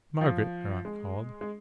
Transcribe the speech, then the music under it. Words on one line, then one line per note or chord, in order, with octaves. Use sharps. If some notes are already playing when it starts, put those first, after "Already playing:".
"Margaret!" her aunt called.
F3
G#3
G#3